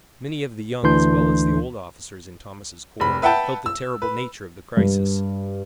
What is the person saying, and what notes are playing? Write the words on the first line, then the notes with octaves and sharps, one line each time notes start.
Many of the young as well as the old officers in Thomas' corps felt the terrible nature of the crisis.
D2 E3 D4 C6 G6
F1 B5
B4 E5 F#5 G5 A5
E6
B4
G2